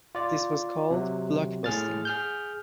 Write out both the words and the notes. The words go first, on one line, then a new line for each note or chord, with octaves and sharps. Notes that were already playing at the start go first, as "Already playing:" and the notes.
This was called blockbusting.
F4 D5
C3 F#3
A2 G#4 F6 A6
G#4 F6 G6